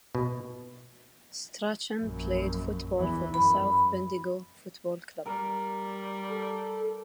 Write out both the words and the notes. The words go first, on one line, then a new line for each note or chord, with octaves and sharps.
Strachan played football for the South Bendigo Football Club.
B2
A#1 F#2
E2 E3
F#2 B5
G3 A#4
A4